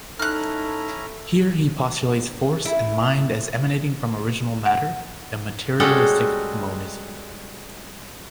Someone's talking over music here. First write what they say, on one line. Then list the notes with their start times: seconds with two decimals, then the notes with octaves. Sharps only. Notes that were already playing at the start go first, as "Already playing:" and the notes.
Here he postulates force and mind as emanating from original matter, a materialistic monism.
0.19 C#4 D#4 E4 A4 A#5 F6 F#6
2.65 E4
4.66 F#5
5.80 G3 G#3 C#4 F#4 A4